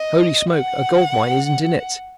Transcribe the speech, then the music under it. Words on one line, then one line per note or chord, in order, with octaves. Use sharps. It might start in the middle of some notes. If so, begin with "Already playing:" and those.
Holy smoke, a gold mine isn't in it!
Already playing: D#5
F#5